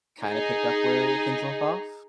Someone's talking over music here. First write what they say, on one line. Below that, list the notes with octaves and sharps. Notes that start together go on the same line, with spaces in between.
kinda picked up where things left off?
D#4 G#4